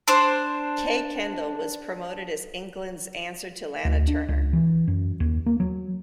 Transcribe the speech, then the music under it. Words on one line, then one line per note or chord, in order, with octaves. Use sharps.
Kay Kendall was promoted as England's answer to Lana Turner.
D4 C5
D2
D4
C#2
E3
F#2
D#2
A#3
F#3